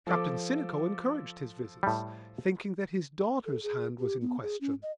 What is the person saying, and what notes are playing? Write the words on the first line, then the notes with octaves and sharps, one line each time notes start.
Captain Sinico encouraged his visits, thinking that his daughter's hand was in question.
F3 A4 D6
A2 G3
A4
G#4
G4
B3
G#4
C#4
D#5